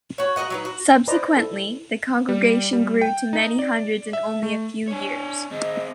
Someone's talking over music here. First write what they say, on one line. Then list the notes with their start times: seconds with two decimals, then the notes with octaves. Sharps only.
Subsequently, the congregation grew to many hundreds in only a few years.
0.18 F#4 C#5
0.36 F#4 A#4 D#5 F#5
0.50 F#3 D#4 B4
0.65 F#4
1.08 B4 C5 D5 D#5 A#5
1.37 E4 A4
2.29 G3
2.73 G3
3.01 G5
3.33 D#4
3.59 D5
4.13 E5
4.43 A3
4.88 D4 C#5
5.51 C4 G#4 D#5